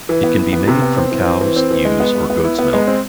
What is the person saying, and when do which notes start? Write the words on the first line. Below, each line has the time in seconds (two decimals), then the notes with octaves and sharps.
It can be made from cow's, ewe's, or goat's milk.
0.09 E3
0.23 B3
0.38 E3
0.53 B3
0.68 C3
0.82 B3
0.97 C4
1.12 E3
1.26 C4
1.41 E3
1.56 C4
1.71 E3
1.85 G#3
2.00 B3
2.15 G#3
2.30 B3
2.44 E4
2.59 B3
2.73 G#3
2.87 C4